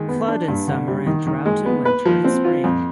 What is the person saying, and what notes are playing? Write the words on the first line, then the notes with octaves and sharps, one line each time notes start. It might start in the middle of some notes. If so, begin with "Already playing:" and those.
Flood in summer and drought in winter and spring.
Already playing: D#3 G#3
B3
D4
G2
D3
G3
D#3
D#3
G#3
B3
B4
F3
C4
F4
F2